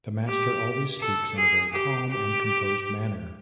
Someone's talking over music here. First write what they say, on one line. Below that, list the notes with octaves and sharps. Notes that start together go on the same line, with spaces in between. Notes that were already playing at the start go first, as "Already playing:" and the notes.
The master always speaks in a very calm and composed manner.
G4
A4
G#4
G4
G4